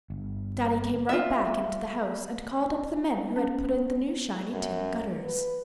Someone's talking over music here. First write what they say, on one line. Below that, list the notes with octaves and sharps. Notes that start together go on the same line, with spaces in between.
Daddy came right back into the house and called up the men who had put in the new shiny tin gutters.
G1
F4 E5
C#4
F#2
B4